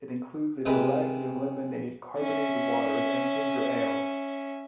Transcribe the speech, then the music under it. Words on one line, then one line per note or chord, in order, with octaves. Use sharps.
It includes a variety of lemonade, carbonated waters and ginger ales.
C3 G#3 A#4 B4
C#4 E5